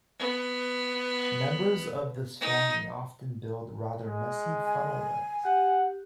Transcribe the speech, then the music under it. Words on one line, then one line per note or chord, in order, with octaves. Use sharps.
Members of this family often build rather messy funnel-webs.
B3
D#4
G#3
G#5
G4 F#5